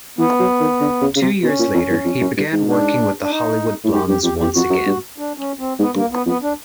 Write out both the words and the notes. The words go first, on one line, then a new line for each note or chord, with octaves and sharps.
Two years later, he began working with the Hollywood Blondes once again.
E3 B3
F#3
D#3
D3
C#3
C#3
C3
B2 C#4
A#2
F2
E2
F2
F#2
G2
G#2
D4
D4
D#4
A2
G#2 G4
G2 G4
F2 G4
E2 G4
F2 F#4
F#2
G2
D4
C#4
C4
G#2 B3
G2 A#3
B3
F2 B3
D4